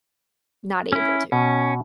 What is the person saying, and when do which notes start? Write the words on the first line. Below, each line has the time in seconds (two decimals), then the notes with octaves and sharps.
not able to.
0.93 C#4 E4
1.32 B2 C#4